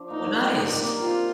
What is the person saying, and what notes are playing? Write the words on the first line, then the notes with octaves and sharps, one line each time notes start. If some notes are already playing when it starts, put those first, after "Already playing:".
Oh, nice.
Already playing: F3 D4
A#3 D#4
D4
G4
A#3
C4 F4